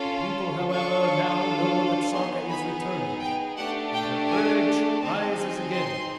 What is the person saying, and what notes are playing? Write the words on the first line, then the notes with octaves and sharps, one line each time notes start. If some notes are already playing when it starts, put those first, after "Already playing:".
The people, however, now know that Sarka is returning, and their courage rises again!
Already playing: C#4 F4 A4
D4 F4 A4 C#6
B3 D#4 G#4 C6
B5
G5
A3 D4 G4 F#5
G5
G#5
C4 D#4 G#4 A5
C6